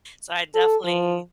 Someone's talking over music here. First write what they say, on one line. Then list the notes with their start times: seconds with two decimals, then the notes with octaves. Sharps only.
So, I definitely
0.55 A4
0.84 F3